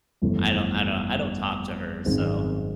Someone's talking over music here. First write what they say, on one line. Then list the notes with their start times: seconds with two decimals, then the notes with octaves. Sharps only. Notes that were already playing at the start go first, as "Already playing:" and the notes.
I don't I don't I don't talk to her, so
0.22 G1 F2 C3 E3 A3
2.05 G#1 F#2 D#3 G#3 C4